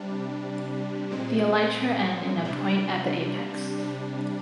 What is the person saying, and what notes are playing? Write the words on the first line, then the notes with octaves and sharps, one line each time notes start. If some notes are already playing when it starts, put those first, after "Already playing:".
The elytra end in a point at the apex.
Already playing: C3 G3 D4
A#2 G#3 C4
C3 G3 D4
C3 G3 D4